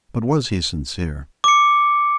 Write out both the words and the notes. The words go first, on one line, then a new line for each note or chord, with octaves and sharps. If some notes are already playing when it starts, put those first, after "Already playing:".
But was he sincere?
D6 C#7